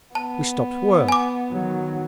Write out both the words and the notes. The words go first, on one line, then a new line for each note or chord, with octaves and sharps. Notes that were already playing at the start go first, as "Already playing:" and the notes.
We stopped work.
B3 A5
G#5 D6
D#3 F#3